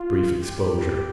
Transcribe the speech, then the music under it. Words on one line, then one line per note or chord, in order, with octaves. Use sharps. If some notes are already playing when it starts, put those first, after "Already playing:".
Brief exposure.
Already playing: F4
G4